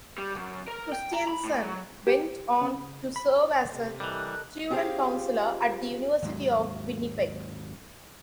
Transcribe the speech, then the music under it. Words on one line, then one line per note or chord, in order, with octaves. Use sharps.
Christianson went on to serve as a student counsellor at the University of Winnipeg.
G3
F#2
A#4
G5
A#5
B5
A2
F#3
G4
C#3
B5
C3 A3
E3 G3 A4 A#4 D#5 F#6
C#4 F4 G4 G#4 C5 F5
D#2 G#2 F#3